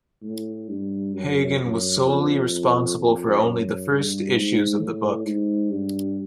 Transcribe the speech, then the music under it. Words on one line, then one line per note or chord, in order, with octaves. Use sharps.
Hegen was solely responsible for only the first issues of the book.
A2
G2
F#2
F#2
F2
F2
F#2
G2
G#2
A2
G#2
G2